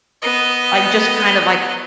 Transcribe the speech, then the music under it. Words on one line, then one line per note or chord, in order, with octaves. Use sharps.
Like, just kind of, like
B3 D#5